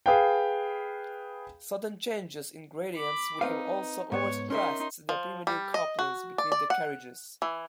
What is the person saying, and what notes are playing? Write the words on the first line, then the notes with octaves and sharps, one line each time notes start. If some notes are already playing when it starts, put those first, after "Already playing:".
Sudden changes in gradients would have also overstressed the primitive couplings between the carriages.
G#4 B4 F5 G5
B5 D6
C4 D#4 B4 F5
G#2 B3 C#5
C#4 D#4 A#4 E5 C6
F3
G3
D#5
F#4
D5
D5
F#5
E3